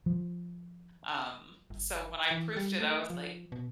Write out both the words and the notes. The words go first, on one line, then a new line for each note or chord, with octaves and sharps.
um, so when I proofed it, I was like,
F3
G1
E3
G3
A3
F3
B2